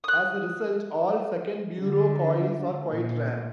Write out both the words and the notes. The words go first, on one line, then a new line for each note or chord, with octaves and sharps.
As a result, all Second Bureau coils are quite rare.
D#6 F#6
D3
A#2